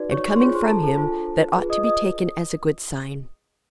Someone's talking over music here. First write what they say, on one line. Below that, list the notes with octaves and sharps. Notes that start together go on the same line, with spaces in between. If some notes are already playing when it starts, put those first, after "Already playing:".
And coming from him, that ought to be taken as a good sign.
Already playing: D#4 F#4 B4 D5
C#5 C#6
C6
D4 F4 G#4 C5 C#5 C#6
C5 C6
A#5
A4 A5
A4 A5
D4 F4 A4 C5
F4 G#4 B4
D#5 D#6
D#5 D#6